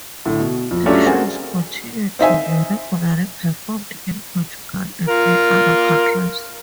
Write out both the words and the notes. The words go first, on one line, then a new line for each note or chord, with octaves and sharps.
Her shows continue to be regularly performed in Portugal and in other countries.
A2 D3
B2
F2
F#3 G3 A3 C#4 D4 F4
C4 F#4 G#4 A#4
C4 D#4 E5 G#5
F4 A#4